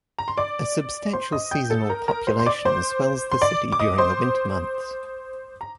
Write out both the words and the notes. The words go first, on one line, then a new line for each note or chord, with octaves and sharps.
A substantial seasonal population swells the city during the winter months.
A#5
C6
D5 D6
C5 C6
D#5 D#6
G5 G6
A4 A5
A#4 A#5
A#4 A#5
C5 C6
C6
D5 D6
C5 C6
C6
D5 D6
D6
D#5 D#6
C5 C6
A#5